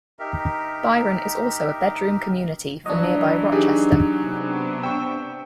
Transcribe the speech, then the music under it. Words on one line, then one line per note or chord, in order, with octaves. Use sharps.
Byron is also a bedroom community for nearby Rochester.
D#4 G4 A#4 E5
E3 F#3 D4 D#5
D#4 G4 G#4
C3 B3 D4
G5 C#6 E6